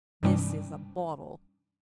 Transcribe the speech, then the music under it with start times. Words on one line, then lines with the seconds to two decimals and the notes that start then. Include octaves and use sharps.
This is a bottle.'
0.23 G2 C3 E3 G3 C#4 D4